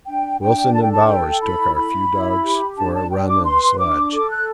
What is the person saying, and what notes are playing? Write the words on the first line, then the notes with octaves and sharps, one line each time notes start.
Wilson and Bowers took our few dogs for a run in a sledge.
D4 G5
D4 G5
A4 A5
G5
A5
A4 G5
E4 B5
E4 B5
E4
G4
D4 A5
A5
D4 G5
D6
B4 C6
D4 D6
A4 D6
F#6